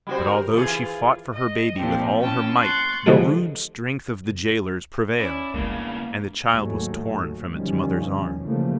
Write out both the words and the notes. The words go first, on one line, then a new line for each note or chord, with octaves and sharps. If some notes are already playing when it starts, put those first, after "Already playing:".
But although she fought for her baby with all her might, the rude strength of the jailers prevailed, and the child was torn from its mother's arms.
G3 F#4 C5
A#4
E3 F4 G#4
D#5
A#2 F3 C4 D4 G4
E3 C#4 G5 A5
C6 C#6 F#6 G6 A6
D3 E3 F3 G3 G#3 A4
C#4 E4 D5
E2 G2 C#3 G#3 A#3 D4
D#2 G#2 F#3 G#3 A3
B2 D3 D#3 F3 G3 C#4
C#3 E3 F3 G3 A3 A#3